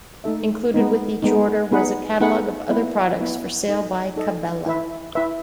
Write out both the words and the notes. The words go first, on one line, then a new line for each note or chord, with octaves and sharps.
Included with each order was a catalog of other products for sale by Cabela.
A3 D#4 A4 E5
G#3 B3 D#4
G#3 B3 D#4
B3 D#4 G#4 B4 F#5
B3 D#4 G#4 B4 F#5
B3 E4 B4
B3 E4 B4
D#4 A4 D#5
D#4 A4 D#5
E4 B4 E5
E4 B4 E5